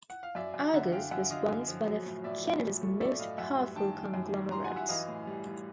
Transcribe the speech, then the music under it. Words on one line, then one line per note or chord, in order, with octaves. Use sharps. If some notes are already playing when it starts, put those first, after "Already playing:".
Argus was once one of Canada's most powerful conglomerates.
F#5
F5
F#2 D5 E5
F#2
D3 E5 F#5
F#2 F5 G5
F#2 E5 F#5
D3 D#5 F5
F#2
F3
F#3
A2
A2 D5 E5
F#3
A2
A3
A3 D5 E5
A2 D#5 F5
F#2 E5 F#5
G3
D#3 G5 A5
D#3
F#2
D#3
G3 A#5 C6
F#5 G#5
F#2
E5 F#5
E3 D#5 F5
A2
G3
G3